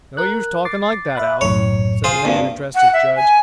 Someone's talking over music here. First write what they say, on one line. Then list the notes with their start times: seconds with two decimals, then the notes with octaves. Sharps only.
"No use talkin' like that, Alf," said the man addressed as Judge.
0.17 A#4 F#6
0.65 D6 A6 C7
1.15 E5 B5 F#6
1.41 B1 F#2 A2 C#5
2.04 F4 G#4 C5
2.25 G2 A#3 C4 F#4
2.75 F#5
2.93 E5
3.16 G#5